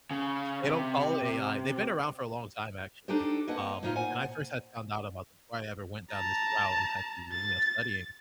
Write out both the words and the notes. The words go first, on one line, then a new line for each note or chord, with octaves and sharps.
They don't call it AI. They've been around for a long time, actually, um, and I first had found out about them before I ever went down this route and had been, you know, studying.
C#3
C3
D4 D#4 G4 A4 C5
A#3 C4 B4 D#5 F#5 A5
A2 C3 D#4 F4 F5
A#2 C5 F#5 G#5
A5 A#5
A6